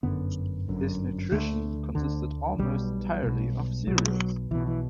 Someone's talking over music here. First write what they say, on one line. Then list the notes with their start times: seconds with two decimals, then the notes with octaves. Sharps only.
His nutrition consisted almost entirely of cereals.
0.03 G1 F#2 D3 B3
0.68 G1 F#2 D3
1.32 D2 D3 A3
1.95 D2 D3
2.59 B1 B2 G3
3.23 B1 B2
3.87 B1 B2 F#3
4.08 F#3
4.51 B1 B2 E3
4.67 E3